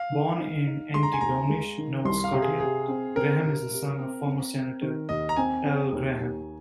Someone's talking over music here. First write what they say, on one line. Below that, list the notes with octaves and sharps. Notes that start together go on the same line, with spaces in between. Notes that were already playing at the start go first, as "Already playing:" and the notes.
Born in Antigonish, Nova Scotia, Graham is the son of former senator Al Graham.
Already playing: F5
D#3
D#4
D#4
G#3 C6
A#5
G#5
D#2 A#5
G#3
D#3
C2 C6
F5
C3
G#4
C3 G#4
C4
C4 A#4
C3
C3
C4
C4
C4
D#3
D#2 D#5
A#5
C4 G#5
C4
D#2
D#2